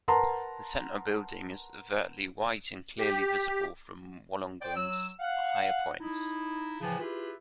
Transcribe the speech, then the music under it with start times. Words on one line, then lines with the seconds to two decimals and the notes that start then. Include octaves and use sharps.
The centre building is overtly white and clearly visible from Wollongong's higher points.
0.08 A#4 B4 F#5 A5 A#5 C6
2.99 G4
4.62 C5 D5 G5
4.75 F#3 E6
5.20 F5 F#5
6.01 D#4 E4
6.81 A2 C#3 E3 F3
7.00 E4 F4 G4 G#4 B4